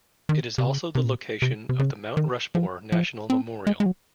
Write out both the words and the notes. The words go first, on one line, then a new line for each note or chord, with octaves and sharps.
It is also the location of the Mount Rushmore National Memorial.
D#3
C3
C#3
C3
A#2
C3
C3
C#3
D#3
F3
F3
C4
G#3
G#3
F#3